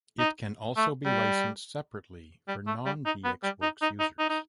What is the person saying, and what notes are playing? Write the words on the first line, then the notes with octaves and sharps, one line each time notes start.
It can also be licensed separately for non-VxWorks users.
D#4
A3
G3
G3
A3
G3
D#4
B3
G3
D#4
D#4
D#4
D#4
D#4